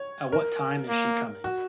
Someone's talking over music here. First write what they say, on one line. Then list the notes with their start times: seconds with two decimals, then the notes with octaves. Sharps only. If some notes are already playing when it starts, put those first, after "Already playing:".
At what time is she coming?
Already playing: C#5
0.32 A#4
0.89 A#3
1.44 F#4